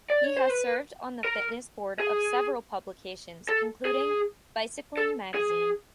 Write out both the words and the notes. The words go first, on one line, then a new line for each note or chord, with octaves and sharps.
He has served on the fitness board of several publications including "Bicycling Magazine".
D5
C#5
C5
B4
A#4
G#4
A4
G#4
A4
G#4